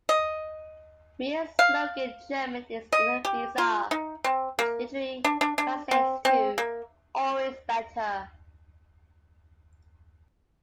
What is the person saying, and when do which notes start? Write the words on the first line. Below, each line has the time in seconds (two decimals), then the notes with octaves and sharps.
Miele's slogan in German is "immer besser" which literally translates to "always better".
0.09 D#5
1.59 F5
2.92 D#5
3.25 G4
3.58 F4
3.91 D#4
4.24 C4
4.59 A#3
5.24 D4
5.41 D4
5.58 D4
5.91 C4
6.25 C4
6.58 A#3